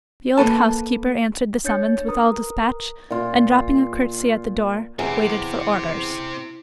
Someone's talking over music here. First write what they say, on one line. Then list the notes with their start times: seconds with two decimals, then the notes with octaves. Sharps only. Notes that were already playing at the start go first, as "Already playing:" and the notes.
The old housekeeper answered the summons with all dispatch; and dropping a curtsey at the door, waited for orders.
0.37 A#3 A4 B4 A5
1.64 D4 C#5 G6 A6 C#7
2.07 A#4 B4 A#5 D#6
3.11 A#2 F4
4.99 E2 C4 G4